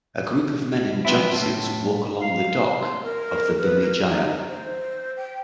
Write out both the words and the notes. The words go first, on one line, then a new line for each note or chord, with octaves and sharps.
A group of men in jumpsuits walk along the dock of the Bumi Jaya.
F3 B3 C4 E4
A2
F5
C6
A#4
B4
A#4
D#4
C5
G5